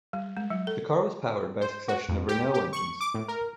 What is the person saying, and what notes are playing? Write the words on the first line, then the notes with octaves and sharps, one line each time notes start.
The car was powered by a succession of Renault engines.
G3
G#3
F#3
A4
C5
F#4
F2
G4
G4
C#6
D6
A2
A#4